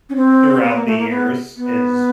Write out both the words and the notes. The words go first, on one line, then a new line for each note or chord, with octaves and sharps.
throughout the years is
C#4
C4
B3
A#3
A3
A#3
B3
B3